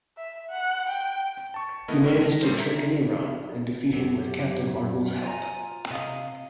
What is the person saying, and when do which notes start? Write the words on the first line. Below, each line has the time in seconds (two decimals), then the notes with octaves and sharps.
He managed to trick Neron and defeat him with Captain Marvel's help.
0.17 E5
0.50 F#5
0.89 G5
1.54 A5 C#6
1.88 D#3 A3 B3 E4 A#4 D#5
2.07 G#3 C#4 A4 A#4
2.20 A#6
2.43 A1 A#2 G3 C#4 C5
2.58 E5 A#5 B6
3.93 F#2 G4
5.24 F4 G#5 A#5
5.90 C3 D#5 F5